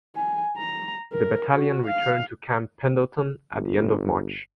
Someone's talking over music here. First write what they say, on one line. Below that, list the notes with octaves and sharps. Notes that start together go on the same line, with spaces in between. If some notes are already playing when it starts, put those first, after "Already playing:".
The Battalion returned to Camp Pendleton at the end of March.
G#5
A#5
A#4
F#4
F5
G1